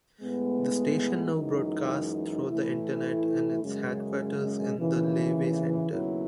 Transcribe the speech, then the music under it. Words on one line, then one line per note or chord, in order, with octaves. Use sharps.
The station now broadcasts through the Internet in its headquarters in the Leavey Center.
A2 G#3 B3
F#2 E3 G#3 D#4
A2 E3 A3 E4
F#2 C#3 G#3
D#2 C#3 E3
D#2 C#3 F#3 B3 E4